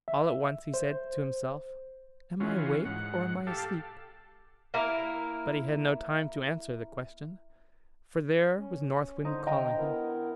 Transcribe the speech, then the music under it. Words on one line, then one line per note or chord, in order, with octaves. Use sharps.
All at once he said to himself, "Am I awake, or am I asleep?" But he had no time to answer the question, for there was North Wind calling him.
E5
C5
E3 C#4 F4 F#4
G#2 F#5
G4 A4 F5 A5
A#3 E4 A#4
C#4
D3 D#4 C5
D#5 G5 A#5
B3 E4 A#4